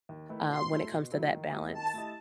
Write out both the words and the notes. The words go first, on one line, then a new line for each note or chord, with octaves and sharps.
um, when it comes to that balance?
D#2
D#3 A3 E4 B4
B2 C6
F#3 A3 E4 A4
B2
F#3 A3 E4 A4
D#3
A3 E4 G4 D#5
D#3 A5
A3 E4 G4 D#5